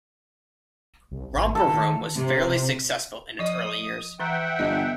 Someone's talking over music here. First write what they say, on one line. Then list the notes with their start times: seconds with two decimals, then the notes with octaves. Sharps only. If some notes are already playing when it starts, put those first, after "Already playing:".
"Romper Room" was fairly successful in its early years.
1.11 C2
1.33 G#1
1.55 D#3 A4
2.15 C3
3.39 F3 D#5 D#6
4.20 E3 E5 F#5 G5 A#5
4.59 G1 D#5